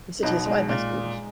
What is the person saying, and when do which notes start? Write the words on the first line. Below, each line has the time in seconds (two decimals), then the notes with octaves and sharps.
The city has five high schools.
0.23 B1 B2 D#4
0.46 G#3
0.69 A#2